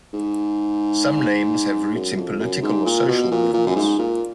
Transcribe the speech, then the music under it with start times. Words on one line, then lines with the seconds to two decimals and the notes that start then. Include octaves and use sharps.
Some names have roots in political or social movements.
0.13 G#2
1.95 F#2
2.17 F2
2.40 F#2
2.62 G#2
2.86 A#2
3.08 B2
3.31 A#2
3.54 A#2
3.67 F#2
3.76 G#2
3.99 A#2